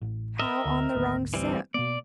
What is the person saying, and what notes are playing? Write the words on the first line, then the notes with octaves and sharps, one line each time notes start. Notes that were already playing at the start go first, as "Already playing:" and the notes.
"How on the wrong scent?"
A1
A#4 D#5 E5
D2
G#1 D2 A#3
E3 G3 C4
B2 A#3 B3 D5